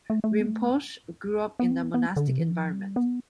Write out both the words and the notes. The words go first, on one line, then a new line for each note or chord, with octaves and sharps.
Rinpoche grew up in a monastic environment.
A3
A3
B3
A3
B3
C4
B3
B3
D3
C3
E3
F3
G3
B3